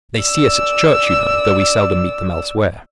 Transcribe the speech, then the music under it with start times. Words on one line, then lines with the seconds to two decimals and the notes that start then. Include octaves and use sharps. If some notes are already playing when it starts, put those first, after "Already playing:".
They see us at church, you know, though we seldom meet them elsewhere.
0.23 D5 E6